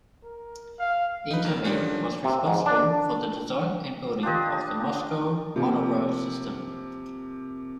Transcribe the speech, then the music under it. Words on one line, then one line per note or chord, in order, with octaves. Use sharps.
Intamin was responsible for the design and building of the Moscow Monorail System.
A#4
F5
D#4 B4
D#2 A#4
D3 D#3 F3 G3 C#4 D4
C3
G#2
D4
D4 F4 G4 D#5
C3 F3 A#3